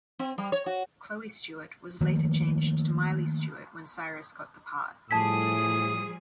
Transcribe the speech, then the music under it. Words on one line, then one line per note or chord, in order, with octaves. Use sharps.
Chloe Stewart was later changed to Miley Stewart when Cyrus got the part.
C4
G3
C#5
F#4
D#3 F3 A3 A#3
A2 F3 G3 G#4 A5 D#6 G#6 B6